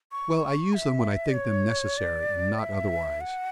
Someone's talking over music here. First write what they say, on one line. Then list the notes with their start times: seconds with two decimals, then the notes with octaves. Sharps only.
Well, I use them when I think them necessary, and not otherwise.
0.12 C#6
0.73 E5
1.35 C#5
1.98 D5
2.59 E5
3.21 F#5